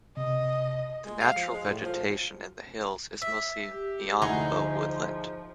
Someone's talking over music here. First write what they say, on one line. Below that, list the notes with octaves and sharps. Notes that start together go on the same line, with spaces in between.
The natural vegetation in the hills is mostly miombo woodland.
C3 D#5
G#3
F5
F3
G#3
A2
F3
E5
G4
D2 F3 D#4 E4 G#4 F#5